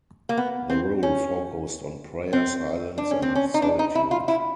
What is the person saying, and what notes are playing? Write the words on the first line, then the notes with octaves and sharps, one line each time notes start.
The rule focused on prayer, silence, and solitude.
A#3
B3
C4
C#4
C4
D4
C#4
C4
C#4
D#4
D4
D#4
E4
F4
E4